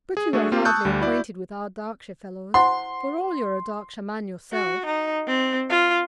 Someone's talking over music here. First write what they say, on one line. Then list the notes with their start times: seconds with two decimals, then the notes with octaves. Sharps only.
But you are hardly acquainted with our Darkshire fellows, for all you're a Darkshire man yourself.
0.17 G#4
0.33 A3 D4 F#4 G#4 E5
0.52 A#3 C4 F4 G4
0.65 A5 C#6 D#6 E6 F#6 G6
0.85 D2 G3
1.01 E4 F#4 D5
2.54 E4 C5 F#5 C6
4.52 F#4
4.86 D#4
5.27 C4
5.70 F4